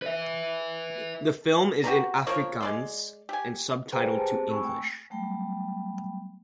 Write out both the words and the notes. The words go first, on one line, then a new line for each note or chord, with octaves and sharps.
The film is in Afrikaans and subtitled to English.
B4 E5
F#4 G4 B4 A#5
F3 A#3 A#4 C#5
G#3 D5 C6
G4 G#5
G#4 B4 C5 G5 G#5 A#5
D7
G4 G#4 C5 A5
C4
G#5 B5 C#6 E6
A3 G5
F#3 G3 A3 B3 G5 B5